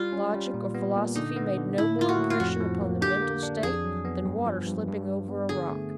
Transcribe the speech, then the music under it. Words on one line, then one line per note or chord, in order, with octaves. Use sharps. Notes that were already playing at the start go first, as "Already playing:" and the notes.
Logic or philosophy made no more impression upon the mental state than water slipping over a rock.
Already playing: G3 F4
C#4
G3
A#2
B3
A#2
D3 D#4
B3
D3
A2 E4
A#3 F4
F#4
A2
F4
F2 F#4
F3
A#3
D3 G4
A#3
D4
F2 G#4
F#3
B3
G2
F3
G2
G2
G3
B3
D3 G#4
A3